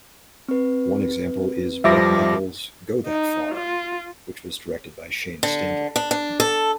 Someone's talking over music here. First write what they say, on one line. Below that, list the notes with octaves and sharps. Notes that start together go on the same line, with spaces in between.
One example is Bret Michaels "Go That Far" which was directed by Shane Stanley.
C4 B4
F2 F3 G3 E5 D6 A#6
D#4
F4
D3
D4
D4
A4